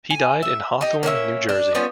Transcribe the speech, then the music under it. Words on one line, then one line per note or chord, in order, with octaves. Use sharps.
He died in Hawthorne, New Jersey.
G#5
E5
D#4 G4
A#3 C#4 F#4 E5
D4
G3 B3 C#4 F4